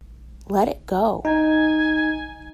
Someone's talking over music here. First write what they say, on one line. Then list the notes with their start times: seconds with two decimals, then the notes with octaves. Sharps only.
Let it go.
1.25 D#4 G#5